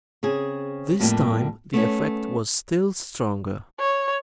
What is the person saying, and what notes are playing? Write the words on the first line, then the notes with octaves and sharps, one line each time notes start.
This time the effect was still stronger.
C#3 C4 G#4
F2 A2 G3 A3 A#3 G4
A3 B3 C#4
C#5